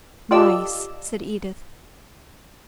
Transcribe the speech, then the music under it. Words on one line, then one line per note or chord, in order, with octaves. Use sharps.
"Nice!" said Edith.
F4 G4 A4 D5 D#5 E6